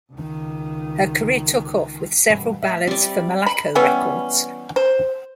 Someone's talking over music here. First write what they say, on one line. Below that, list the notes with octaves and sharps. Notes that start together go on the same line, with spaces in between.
Her career took off with several ballads for Malaco Records.
C#2 D#3
E1 G2
A2 E5
G3 C4 D5
B5
E3 G3 B3 C#4
C5